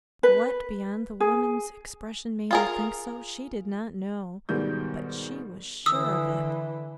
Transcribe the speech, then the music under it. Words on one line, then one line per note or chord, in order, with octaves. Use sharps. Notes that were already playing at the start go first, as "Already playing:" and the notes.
What beyond the woman's expression made her think so she did not know, but she was sure of it.
B4
G#4
F4 G#4 A#4
G#2 B2 D#3 G3 G6
D3 E3 D#6 E6